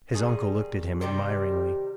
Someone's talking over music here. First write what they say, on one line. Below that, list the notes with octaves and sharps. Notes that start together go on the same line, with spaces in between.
His uncle looked at him admiringly.
C3 D#3 G3 G#4
C3 D#3 G3 G4